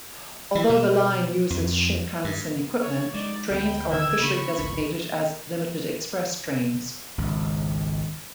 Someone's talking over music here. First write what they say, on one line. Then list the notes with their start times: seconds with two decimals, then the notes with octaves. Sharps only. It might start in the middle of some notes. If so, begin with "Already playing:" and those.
Although the line uses Shinkansen equipment, trains are officially designated as limited express trains.
0.55 E3
0.70 B2
1.50 F2
2.24 G2
2.81 C#5
3.14 G#3 D#4 D5
3.50 D2 B3 G5 B5
3.91 D#1 D3 E6 G#6
4.20 C#3 A#3 D4 B5 C#6
4.57 G1 C#2 D4
7.18 G#1 C#2